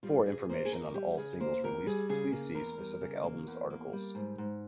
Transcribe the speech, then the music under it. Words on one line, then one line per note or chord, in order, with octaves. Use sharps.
For information on all singles released please see specific album's articles.
G3 F4
C#3 G#4
A#3 C5
G#4
E2 A#4
G3 G4
C#3 G#4
A#3 C5
E2 A#4
G3 G#4
C#3 G#4
A#3
E2 A#4
G3
C#3
A#3
E2
A#3
G3
G#2
G#2